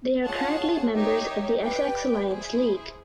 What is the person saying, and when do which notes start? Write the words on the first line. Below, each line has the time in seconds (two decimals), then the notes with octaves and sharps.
They are currently members of the Essex Alliance League.
0.26 F4 G#4 C#5 F#5 A5
0.94 D#4 G4 A#4 C#5 E5
1.62 G4 B4 D5 G5
2.28 E4 G#4 C5